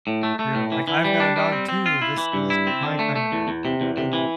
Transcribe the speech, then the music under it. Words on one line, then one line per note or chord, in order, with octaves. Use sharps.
Yeah, like, "I've got a dog too. This is w my kinda dog and what they like."
A2
A3
A3
A2
E3
E3
G3
D4
G3
C4
C4
F4
E4
E3
G2
E4
C4
D3
A3
A3
E2
E2
C3
E2
C3
E3